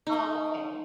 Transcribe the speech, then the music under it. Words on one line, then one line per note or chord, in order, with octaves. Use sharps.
Oh, okay.
D#4